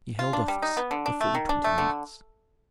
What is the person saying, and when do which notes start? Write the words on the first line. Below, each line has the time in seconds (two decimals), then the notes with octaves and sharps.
He held office for fully twenty minutes.
0.19 F4
0.33 D4
0.48 G3
0.62 D#4
0.77 B3
0.91 D3
1.06 D4
1.21 A3
1.35 D#3
1.49 D4
1.64 A3
1.78 D3